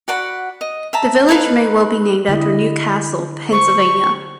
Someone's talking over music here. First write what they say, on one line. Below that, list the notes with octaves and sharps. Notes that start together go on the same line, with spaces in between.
The village may well be named after New Castle, Pennsylvania.
F#4 D5 F#5 B5
D#5
E5 A5 A#5
D#4 A4 B4 F5
D3 E4 D#5
C5 C#6